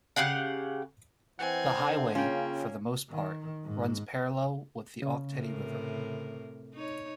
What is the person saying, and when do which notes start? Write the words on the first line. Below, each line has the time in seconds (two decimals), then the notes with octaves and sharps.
The highway, for the most part, runs parallel with the Ok Tedi River.
0.16 C#3 G4 F5 F#5
1.39 E3 C4 F#5 G#5
1.77 D3
2.15 C#3 A#3 C#4 F4 G5
3.10 D#3
3.64 G#2
5.02 C#3
5.33 A2 C3 A#4
6.74 D#4 C#5